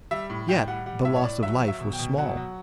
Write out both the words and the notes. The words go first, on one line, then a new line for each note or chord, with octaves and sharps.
Yet the loss of life was small.
G3 E5
A2
A2 G5
G3 F#5
G3 F#5
A2 E5
C#5
A2 D5
F#3 E5
F#3
E5
B2
G5
B2
F#3 F#5
F#3